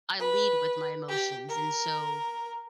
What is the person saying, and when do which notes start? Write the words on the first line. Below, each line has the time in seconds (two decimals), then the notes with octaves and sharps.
I lead with my emotions, and so,
0.19 B4
1.09 G4
1.49 A#4